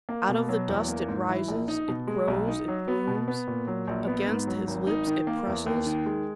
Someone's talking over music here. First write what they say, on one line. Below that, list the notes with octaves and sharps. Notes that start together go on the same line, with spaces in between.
Out of the dust it rises, it grows, it blooms. Against his lips it presses.
A#3
B2
F#3
E2
A#3
G#2
E3
A#1
D#4
B2
G#3
B1
D#4
F#3
B3
B2
B3
A#2
F#3
A#1
B3
G#2
F#3
G#1
D#4
D#3
A#3
E2
D#2
D#3
G#3